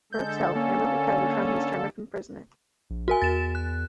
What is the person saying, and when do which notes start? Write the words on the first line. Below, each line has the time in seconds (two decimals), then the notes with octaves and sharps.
Burke's health never recovered from his term of imprisonment.
0.12 D3 G#3 A4 G6
0.56 A#3 C#4 G#5
2.90 A#1
3.08 F#4 A#4 G#5
3.22 E2 A6 E7
3.55 F#6